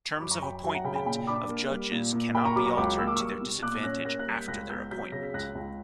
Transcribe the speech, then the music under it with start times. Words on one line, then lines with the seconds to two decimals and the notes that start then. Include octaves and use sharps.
Terms of appointment of judges cannot be altered to their disadvantage after their appointment.
0.16 C#6
0.20 F#2 B5 D6
0.31 A#5 C#6
0.42 F#2 G5 B5
0.64 F#3 E5 G5
0.74 F#5 A#5
0.84 C#3 G5 B5
0.95 G5 B5
1.06 A#2 G5 B5
1.27 D4 B5 D6
1.49 A#3
1.70 G3
1.92 A#2
2.13 A#2
2.35 A#3 G5 B5
2.45 A#5 C#6
2.56 F#3 B5 D6
2.66 A#5 C#6
2.77 C#2 B5 D6
2.98 A#3 E6
3.07 D6
3.16 G3 C#6 E6
3.41 B2
3.62 A#2 D6 F#6
3.84 C#4 F#6 A#6
4.05 A#3 F#6 A#6
4.19 F#6 A#6
4.27 G3
4.34 G6 B6
4.48 C#2 F#6 A#6
4.70 B3 E6 G6
4.91 F#3 G6 B6
5.12 C#3 A#6
5.23 B6
5.34 C#2 F#6 A#6
5.55 C#2